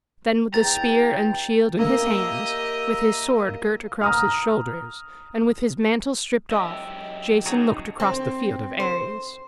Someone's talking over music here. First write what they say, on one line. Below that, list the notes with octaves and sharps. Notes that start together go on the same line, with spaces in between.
Then with the spear and shield in his hands, with his sword girt across his shoulders, and with his mantle stripped off, Jason looked across the field of Ares.
E2 G5 A#5 A6
A#3 G4 D#5 E5 A#5
A#5 D#6 F6
F#2 G4 D#5 E5
F#3 D#4 F#4 G#4 A5 A#5
C4
C5